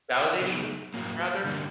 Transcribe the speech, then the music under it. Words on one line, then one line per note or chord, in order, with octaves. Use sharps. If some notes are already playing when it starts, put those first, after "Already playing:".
Validation rather?
C#3 F#3 B3 D#4 G#4
A2 F#3 A#3
D3 G3 A#3